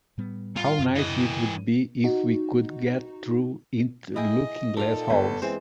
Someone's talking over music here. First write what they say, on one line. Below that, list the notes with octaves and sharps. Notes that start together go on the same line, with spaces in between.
How nice it would be if we could get through into Looking-glass House!
A2 G3 B3
F4
F#2 C#3
E3 D#5
D#4 F#4
E4 G#4 D#5 G5
A#2 D#4 A4 F5
G1 B4
E3 G#3 C4 C5